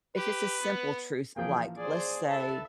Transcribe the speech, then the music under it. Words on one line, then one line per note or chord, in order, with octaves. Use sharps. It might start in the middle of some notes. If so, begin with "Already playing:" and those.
if it's a simple truth, like, let's say
G4 B4
B3
A1 F3 A#3 G#4 G5
G#4 C5 D5
A4 B4 E5 A5